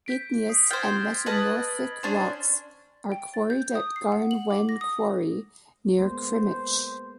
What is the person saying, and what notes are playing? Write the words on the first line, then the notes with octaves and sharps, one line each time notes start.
Igneous and metamorphic rocks are quarried at Garn Wen quarry near Crymych.
G6 B6 D7
D#6 C7
C5 G5 F6 G#6 A6
B4 D#5 A5 F6 F#7
C#4 D4 C5
G5
A6
G6
D#6
C7
F#5
F#7
D6
A#6
D#6
G#3 A#3 B3 C5